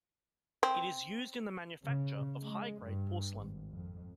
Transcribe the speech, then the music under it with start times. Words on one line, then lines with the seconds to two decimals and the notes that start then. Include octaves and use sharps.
It is used in the manufacture of high grade porcelain.
0.63 C4
1.84 C#3
2.41 G#3
2.84 G2
3.33 G#1
3.71 F2